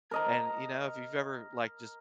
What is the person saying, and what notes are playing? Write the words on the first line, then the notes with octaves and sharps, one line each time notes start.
and, you know, if you've ever, like, just
A#4 D#5 A#5